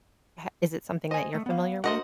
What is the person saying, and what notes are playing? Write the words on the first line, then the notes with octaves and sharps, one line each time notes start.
ha is it something that you're familiar with?
C5 D#5 G#5
A3
B3 F5
D4 F#4 A#4 C5 D#5 F#5